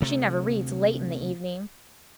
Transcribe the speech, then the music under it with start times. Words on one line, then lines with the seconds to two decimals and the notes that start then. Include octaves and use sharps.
She never reads late in the evening.
0.01 D2 C3 A3